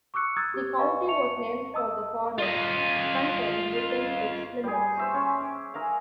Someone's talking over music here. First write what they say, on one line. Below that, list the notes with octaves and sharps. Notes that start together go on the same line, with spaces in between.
The county was named for the forests contained within its limits.
C#6 D6 E6 F#6 C#7
A#5 D#6 E6 F#6 G#6 A6
G4 G#6
B4 D#5 F5 G#5 A#5 C#6
E5 A5 C#6 C#7 F7
D#5 A5 A#5 D#6 E6
F4 D#5
G3 G#4
C5 E5 C#6
C#4
D6
G#4 A#4 E5 F5